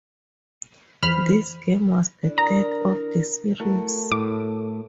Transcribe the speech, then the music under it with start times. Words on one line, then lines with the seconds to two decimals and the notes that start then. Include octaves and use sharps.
This game was the third of the series.
1.03 F2 E3 C5 B5 F6
2.23 D3 D4 E4
2.38 A#4 A#5 D#6
3.60 A3 E4 F#4 A#4
4.12 A2 D6